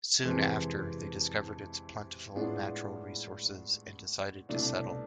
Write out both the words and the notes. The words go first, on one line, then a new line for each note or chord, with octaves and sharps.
Soon after, they discovered its plentiful natural resources and decided to settle.
F2 C3 E3 G#3 C4
A2 G#3 B3 D4 F4
C2 B2 A3 D4